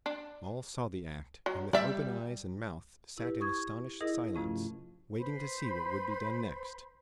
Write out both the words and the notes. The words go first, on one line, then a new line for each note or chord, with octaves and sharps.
All saw the act, and with open eyes and mouth sat in astonished silence, waiting to see what would be done next.
D4
F#3
G3 D5 E5
E4 G4 B4
C#6 D#6 G#6
E4 G#4 A#4 D#5 D#6 A#6
G2 C3 F3 A3 C#4 F4
B4 C5 B5 C6